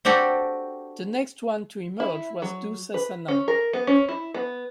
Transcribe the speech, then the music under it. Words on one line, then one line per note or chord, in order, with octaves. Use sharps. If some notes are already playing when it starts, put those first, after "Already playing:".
The next one to emerge was Dussasana.
C4 D4 F#4 G4 A4
E4
F#3
B4
C#4
A#4
B3
C#4
E4
B3